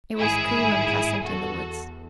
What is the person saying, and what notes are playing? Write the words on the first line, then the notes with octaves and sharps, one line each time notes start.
It was cool and pleasant in the woods.
A1 G#2 D#3 G#3 E4 G#4
E2 F#4 A4